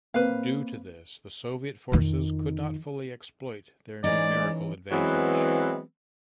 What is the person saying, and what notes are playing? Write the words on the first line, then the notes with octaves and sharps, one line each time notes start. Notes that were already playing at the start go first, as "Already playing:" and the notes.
Due to this, the Soviet forces could not fully exploit their numerical advantage.
A#3 C4 B4 F5
F2 D#3
E3 G#3 C#4 D#4 D5
E3 F#3 G#3 B3 C4